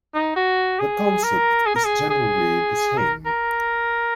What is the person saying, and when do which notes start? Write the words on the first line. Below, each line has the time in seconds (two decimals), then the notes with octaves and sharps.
The concept is generally the same.
0.14 D#4
0.36 F#4
0.80 G#4
1.23 A#4
1.66 G#4
1.75 A#4
1.85 G#4
2.10 G#4
2.98 A#4
3.26 A#4